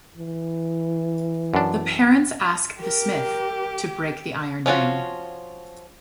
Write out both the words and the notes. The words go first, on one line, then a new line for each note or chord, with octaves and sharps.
The parents ask the smith to break the iron ring.
E3
F#2 D4
G4 A#4
F3 C#4 F4 F#4